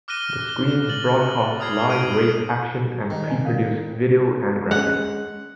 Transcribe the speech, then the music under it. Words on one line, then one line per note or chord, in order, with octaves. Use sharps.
The screens broadcast live race action and pre-produced video and graphics.
D6 F6 F#6 A#6 D#7 G7
A6 F#7
D#6 F6 G#6 C7 F#7
G#6 D7 D#7
D#3
D5 G#5
A#4 F5
G#3 C#4 F#5